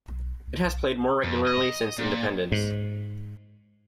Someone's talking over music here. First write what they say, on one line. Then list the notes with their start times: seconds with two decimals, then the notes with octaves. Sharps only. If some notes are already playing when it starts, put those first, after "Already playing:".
It has played more regularly since independence.
0.08 B1
0.47 C#2
0.64 B1
1.24 F2
1.47 D#5
1.98 A#2
2.52 G#2